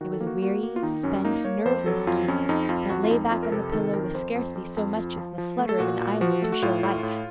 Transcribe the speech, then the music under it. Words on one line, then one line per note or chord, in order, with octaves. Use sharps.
It was a weary, spent, nerveless Keith that lay back on the pillow with scarcely so much as the flutter of an eyelid to show life.
D#3 F#4
A4
A#3
F#4
A#3 F#4
A#3
F4
D#3 D#4
F#2 C#4
A#3 D#4
A#3 C#5
F2 C5
F#3 A4
F2 F4
F2 C#4
F2 D#4
F2 F4
F2 F#4
F4
F2 D#4
F2 F4
A#4
C3 A4
D#3 A4
F2 A#4
F2 C5
F2
F2
F2
F3
F3
F3
A3
A4
A#2 F#4
A#2
F3 F#4
A3 A4
F#4
A2 F4
A2
A2